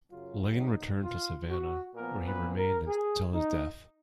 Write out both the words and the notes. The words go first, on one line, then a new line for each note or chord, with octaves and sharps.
Lane returned to Savannah, where he remained until his death.
F#2 C#3 F#3 F4
D#4
F4
F#4
A#2 F3 B3 A#4
B4
A#4
G#4
D#4